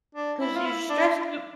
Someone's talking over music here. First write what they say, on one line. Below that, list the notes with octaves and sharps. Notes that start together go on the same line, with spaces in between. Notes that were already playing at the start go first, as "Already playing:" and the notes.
'Cause you stress too
D4
E4
F4
E4
D4